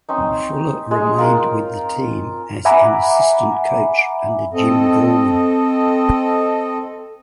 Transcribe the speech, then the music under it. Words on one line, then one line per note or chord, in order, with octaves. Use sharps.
Fuller remained with the team as an assistant coach under Jim Gorman.
C4 C#4 D#4
G#3
F4 A#4
E5 F#5 G#5 A#5 B5 D6
C4 A4 D#5